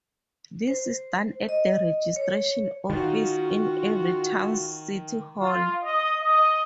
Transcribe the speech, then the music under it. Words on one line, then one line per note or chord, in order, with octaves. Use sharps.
This is done at the registration office in every town's city hall.
C5
D#5
C#5
D#3 F4 F#4
F4
D#5
D#5